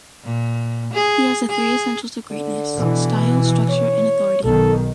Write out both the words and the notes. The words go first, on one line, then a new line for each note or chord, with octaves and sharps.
He has the three essentials of greatness: style, structure, and authority.
A#2
G#4
G#4
D3
B2 E3
C#5
B1 D#3 A4